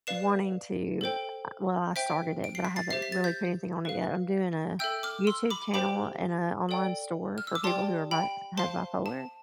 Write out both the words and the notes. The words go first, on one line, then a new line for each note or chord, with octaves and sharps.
wanting to, uh well, I started it, but I haven't really put anything on it yet, I'm doing a YouTube channel and a online store for people who are bi have bipolar.
B4 D5 F5 C7 E7
A4 C5 G5
C5 E5 G5 B6 D7
D7
C7
B6
A6 C7
G4 C5 E5 C7
B6
A6
G6 B6
B4 F5
A4 E5 G5 E6 G6
D6 F6
C6 E6
B5 D6
G4 C5 G5 B5 D6
A4 D5 G5
F6
E6
D6
G4 D5 G5 A5 C6
G5 B5
C5 F5 A5 C6
A5